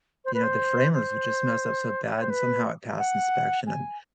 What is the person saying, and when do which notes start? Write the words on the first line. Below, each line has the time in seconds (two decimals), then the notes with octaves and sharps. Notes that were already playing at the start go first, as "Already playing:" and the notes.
you know, the framers would just mess up so bad and somehow it passed inspection, and
0.25 C5
0.34 B4
0.43 C5
0.94 C5
2.04 D5
2.13 C#5
2.22 C5
2.30 B4
2.99 F#5
3.67 G#5